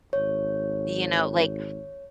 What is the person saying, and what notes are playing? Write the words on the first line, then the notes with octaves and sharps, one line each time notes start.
you know like,
G#1 C#5